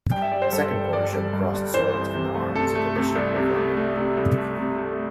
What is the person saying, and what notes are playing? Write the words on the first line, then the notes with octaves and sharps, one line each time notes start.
The second quarter showed crossed swords, from the arms of the Bishop of London.
G2 G5
E5
G3 D5
C5
G2 A4
A4
G1
G1 D5
G3
G2
G1
E3 C5
C2
C3
A3
C3 A4
A3
C3
C2
C3
A3
A3
C3
C2
A3
C3
A3